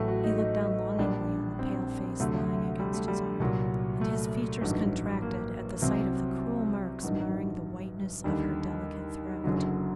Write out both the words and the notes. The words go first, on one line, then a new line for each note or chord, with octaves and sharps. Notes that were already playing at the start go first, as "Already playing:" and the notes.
He looked down longingly on the pale face lying against his arm, and his features contracted at the sight of the cruel marks marring the whiteness of her delicate throat.
Already playing: A1 A2 F#3 A3
F#4
D#4
D#4
A#1 A#2 G3 D4
C4
D2 C3 F#3 A3
G3
A3
G3
C2 A#2 F#3
A3
A1 G2 D#3 F#3
A#3
C2 C3 F#3 C4
A1 G2 D#3 F#3
D#2 D3 G3
F#1 F#2 D3 F#3